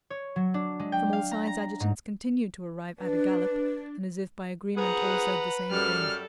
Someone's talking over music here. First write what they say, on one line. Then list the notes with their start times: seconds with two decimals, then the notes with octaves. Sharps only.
From all sides adjutants continued to arrive at a gallop and as if by agreement all said the same thing.
0.10 C#5
0.36 F#3
0.54 D4
0.80 G#3
0.92 G5
1.13 F5
1.31 A#5
1.47 A#5
1.80 G#2
2.99 D4 B4
4.77 F3 B3 G#4 B4 F#5 A#5
5.71 F#2 G3 A4 F6